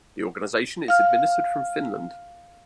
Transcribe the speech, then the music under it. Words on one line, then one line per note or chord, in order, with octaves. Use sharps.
The organization is administered from Finland.
F5 F6